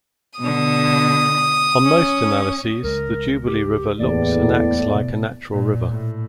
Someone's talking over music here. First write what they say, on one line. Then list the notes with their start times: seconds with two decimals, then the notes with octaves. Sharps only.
On most analyses the Jubilee River looks and acts like a natural river.
0.39 B2 D3 D#6
1.84 C#4
2.84 C#2 G#3 A#4
3.47 G4
4.00 D1 A1 E2 A2 A#3 D5
4.95 B2
5.53 A#2
5.90 A2